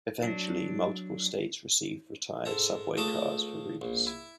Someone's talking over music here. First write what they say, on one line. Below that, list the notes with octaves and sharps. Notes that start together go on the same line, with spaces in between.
Eventually, multiple states received retired subway cars for reefs.
F#3 D4
G#2 A4 A#5
C#2 A3 D#5 A5 D6 D#6
A#1
E4